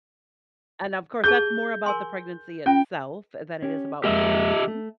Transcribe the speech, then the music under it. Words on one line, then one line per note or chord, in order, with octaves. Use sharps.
And of course, that's more about the pregnancy itself than it is about parenting.
G4 G#4 A5 G6
A#4 G#5 C6
C#4 F4 G5
C#4 G4
F2 G#3 A#3 G4 D#5 E5
A3